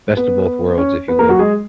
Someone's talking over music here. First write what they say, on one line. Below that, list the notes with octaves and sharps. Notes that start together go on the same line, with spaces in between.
Best of both worlds, if you will.
B3 B4
C#4 C#5
B3 B4
A#3 A#4
F#3 F#4
G#3 G#4